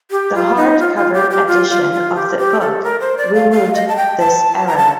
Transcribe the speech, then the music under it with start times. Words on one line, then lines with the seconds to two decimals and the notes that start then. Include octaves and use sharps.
The hardcover edition of the book removed this error.
0.11 G4
0.35 F4
0.56 D#4
0.80 F4
0.96 F4
1.14 G4
1.31 G4
1.47 F4
1.70 F4
1.92 F4
2.15 G4
2.38 G4
2.61 A4
2.83 A#4
3.00 C5
3.18 D5
3.34 F5
3.51 F5
3.74 D#5
3.88 A5
3.96 G5
4.19 A5
4.67 A#5
4.77 A5